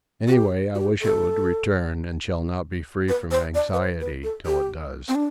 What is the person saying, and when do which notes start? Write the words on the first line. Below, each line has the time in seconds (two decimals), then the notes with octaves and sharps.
Any way I wish it would return, and shall not be free from anxiety till it does.
0.27 F#4
0.33 G4
0.75 F#4
0.79 G4
1.02 A4
3.09 B4
3.31 C5
3.55 D5
3.73 B4
3.77 C5
4.01 B4
4.24 A4
4.46 G4
5.08 C4
5.15 D4